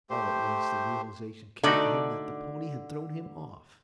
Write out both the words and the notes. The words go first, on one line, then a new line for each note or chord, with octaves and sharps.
All at once the realization came to him that the pony had thrown him off.
A3 G4 C5
D3 A3 D#4 F#4 D5